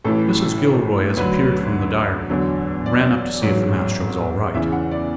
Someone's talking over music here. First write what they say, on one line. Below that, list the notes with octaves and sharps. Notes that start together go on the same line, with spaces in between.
Mrs. Gilroy--as appeared from the diary--ran up to see if the master was all right.
A1 A2 E3 A4
D2 D3 F#3 B4
E2 D3 F#3
D5
A1 G#2 F#3
E2 C#3 E3 E5
F#5
D5